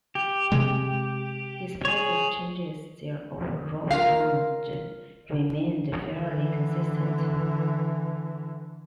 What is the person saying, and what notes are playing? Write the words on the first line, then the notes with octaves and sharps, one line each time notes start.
Despite these changes, their overall sound remained fairly consistent.
G4
C3 G#3
G#4 C#5
F4 A#4 F5
D3 E3